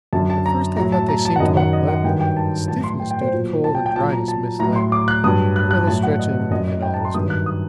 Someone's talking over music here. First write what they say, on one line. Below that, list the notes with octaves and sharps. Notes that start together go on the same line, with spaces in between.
At first I thought they seemed small, but a stiffness due to cold and dryness misled me--a little stretching and all was well.
F#2 D3 F#3 A5
A5
A#5
A2 F#3 A#5
A5
A#5
A5
F#5
F#2 D#3 F#3 D#5
F#5
D#5
F#5
G2 D#3 F#3 G5
G5
A5
A2 F#3 A5
C6
G5
G5
C5
A#2 F#3
A5
G5
G5
A#2 F#3 A5
A#5
A5
A2 F#3 A#5
C6
D6
F#6
G2 F#3 D#6
F#6
F#6
A2 F#3 A5
F#5
D#5
F#2 F#3 D#5
D#5
G5
A5
A#5
C6
G2 D#3 F#3 D#6
F#6
D#6